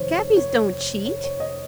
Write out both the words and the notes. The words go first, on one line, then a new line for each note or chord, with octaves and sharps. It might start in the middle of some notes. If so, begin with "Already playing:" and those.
"Cabbies don't cheat."
Already playing: F1 D#2 D#3 C5 C#5
C#5
C#5
C#5
C#5
D#5